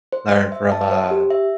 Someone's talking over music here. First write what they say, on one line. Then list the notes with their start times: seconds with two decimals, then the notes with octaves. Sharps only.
learn from, uh,
0.12 C5
0.32 C5
0.52 E5
0.72 A5
0.91 C5
1.11 G4
1.31 E5